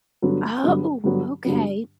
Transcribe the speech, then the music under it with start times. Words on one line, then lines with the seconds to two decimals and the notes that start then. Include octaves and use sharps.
Ah, oh, okay.
0.22 G2 D3 F#3 B3
0.63 G2 D3 F#3 B3
1.04 G2 D3 F#3 B3
1.45 G2 D3 F#3 B3